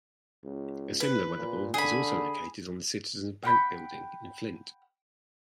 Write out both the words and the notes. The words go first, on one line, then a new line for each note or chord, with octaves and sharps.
A similar weatherball is also located on the Citizen's Bank building in Flint.
C#2
B4
A#2
D3 G#4 B5
F#5 G5 B5